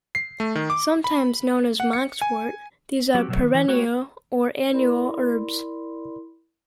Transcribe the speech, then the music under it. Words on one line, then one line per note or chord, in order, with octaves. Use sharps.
Sometimes known as monkswort, these are perennial or annual herbs.
C7
A3
D#3
D6
B5
F#5
C#7
G#5
F#3 C4 F#4 G4
B2 F#3 A3
D#3
E3
A3 F#4 G4 B4 C#5
E4 A#4 D5 B5 C6